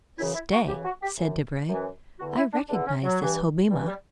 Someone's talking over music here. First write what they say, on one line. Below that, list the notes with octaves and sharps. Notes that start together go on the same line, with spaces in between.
"Stay," said Debray; "I recognize this Hobbema."
F#2 C#3 E3 E4
E4
F#4
F#2 C#3 E3 G4
F#4
G4
F#2 E3
F#2 E3
E2 D3 F#4
E4
D4
E2 D3 D4
C#4
F#3
G2 E3
G2 E3 G3
G3